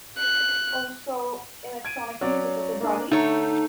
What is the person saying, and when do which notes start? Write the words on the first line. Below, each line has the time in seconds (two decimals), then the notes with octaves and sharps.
Also ""Electronic music of the body?
0.18 F#6
1.85 G#6 D7 D#7
2.21 F#3 C#4 D5
2.81 A#3 D4
3.11 D3 A3 D#4 C#5